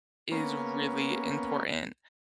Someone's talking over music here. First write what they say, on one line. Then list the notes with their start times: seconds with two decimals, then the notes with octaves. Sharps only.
is really important.
0.32 A#3 B3 C#4